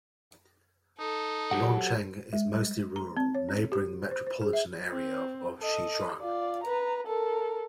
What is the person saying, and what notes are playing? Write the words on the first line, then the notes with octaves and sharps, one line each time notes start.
Luancheng is mostly rural, neighbouring the metropolitan area of Shijiazhuang.
D#4 A4
F#3 G4 F#5
G#3
G3
A#5
C4
C#5
C#4
G4
C5
C5
G#4
E5
C4
A4 D#5
F4 D5
B4 A#5
A4 A#4